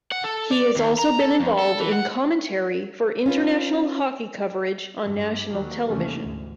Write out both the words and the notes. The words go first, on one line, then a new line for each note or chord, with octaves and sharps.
He has also been involved in commentary for international hockey coverage on national television.
F#5
A4
D5
D#2
A#5
A4
F2
A4
E3
F#5
C#4 F4 B4
G2
D#2 F#3
D#2 C3 E3 G3 A3 C#4
D2 G#2